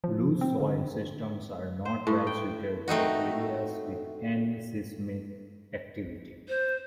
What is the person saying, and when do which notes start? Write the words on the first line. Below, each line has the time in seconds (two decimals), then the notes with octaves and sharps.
Loose soil systems are not well suited for areas with any seismic activity.
0.04 F3
0.41 C4
0.60 D3
1.85 C5
2.07 A2
2.27 G5
2.88 A3 C4 D#4 F#4
6.49 C5